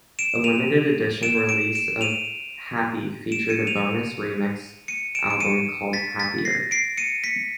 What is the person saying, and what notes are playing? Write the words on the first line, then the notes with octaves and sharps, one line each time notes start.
A limited edition release of "Happy" featured a bonus remix album called "Happier".
D7 E7
D#7 F7
D7 E7
D7 E7
D7 E7
D#7 F7
D7 E7
C#7 D#7
D#7 F7
C#7 D#7
D7 E7
D7
C#7 D#7
A6 B6
A6 B6
A#6 C7
C7 D7
C#7 D#7
B6 C#7